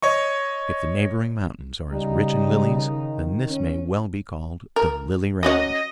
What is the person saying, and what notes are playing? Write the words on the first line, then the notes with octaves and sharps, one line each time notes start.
If the neighboring mountains are as rich in lilies, then this may well be called the Lily Range.
C#5 D#5 C#6
C#3 G3 D#4
D#3
C#4
A#4
F#3 C#4 F#4 D#5